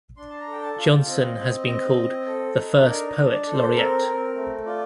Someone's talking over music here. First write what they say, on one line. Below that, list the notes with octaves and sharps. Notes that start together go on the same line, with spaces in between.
Jonson has been called 'the first poet laureate'.
D4 C6
A5
A#5
A4
G5
A5
F4
G5
C4 D#5
C4
C4
C4
A4
D#4
A4
D4 A#4
D#5
D4
D5
A4
C5
C4 A#4
C4
A3
F4 D5